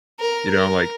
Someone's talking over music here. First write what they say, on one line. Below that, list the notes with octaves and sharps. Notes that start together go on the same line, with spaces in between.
you know, I'm like,
A#4
A#4